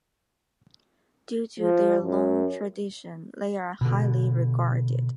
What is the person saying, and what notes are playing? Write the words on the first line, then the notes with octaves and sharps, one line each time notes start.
Due to their long tradition, they are highly regarded.
F3
F#2
B2 D3